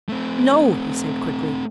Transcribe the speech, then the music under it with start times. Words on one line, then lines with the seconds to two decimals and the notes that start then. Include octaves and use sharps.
"No!" he said, quickly.
0.09 A3 C4